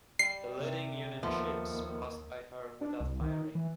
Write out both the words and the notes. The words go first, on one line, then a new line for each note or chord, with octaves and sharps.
The leading Union ships passed by her without firing.
G3 C7
C3
D#2 F3 A3 B3
D4
C2
D#3
E3